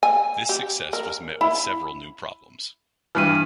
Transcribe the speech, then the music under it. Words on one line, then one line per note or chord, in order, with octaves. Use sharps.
This success was met with several new problems.
G#5
G4
A#4
E4
G2 E3 F6 D#7